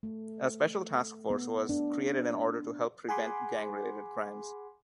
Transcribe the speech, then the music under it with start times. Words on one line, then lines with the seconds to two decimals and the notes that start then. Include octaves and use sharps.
A special task force was created in order to help prevent gang-related crimes.
0.03 A3
1.30 B3
1.69 D4
3.09 G#4 F#5 G#5 B5 C6 D6